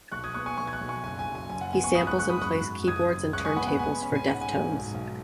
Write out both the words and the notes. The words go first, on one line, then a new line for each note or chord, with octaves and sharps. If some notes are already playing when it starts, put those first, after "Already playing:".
He samples and plays keyboards and turntables for Deftones.
B1 C#6 F#6
D#6 G#6
B3 C#6 F#6
G#5 C#6
B1 G#5 C#6
G#6
C#6 F#6
B1
G#5 C#6
F#1 G#5
G#5
F#1
G#5
F#1 G#5
F#5
B3 G#5
G#5 C#6
G#2 B5 D#6
C#6 F#6
G#2 C#6 F#6
B5 D#6
F#2 C#6 F#6
F#2
F#1 D#6 G#6
F#1
C#2 C#6 F#6
D#6
G#5 C#6
B3 F#5 B5
F#5 B5
C#2 G#5
C#4 B5
G#5
G#2 F#5
G#5
G#2
B1
B1